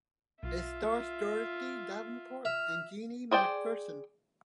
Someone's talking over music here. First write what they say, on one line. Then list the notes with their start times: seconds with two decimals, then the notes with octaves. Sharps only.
It stars Dorothy Davenport and Jeanie Macpherson.
0.43 B1 F4 E5
2.45 E5 F6
3.31 G#4 C5 D5 G5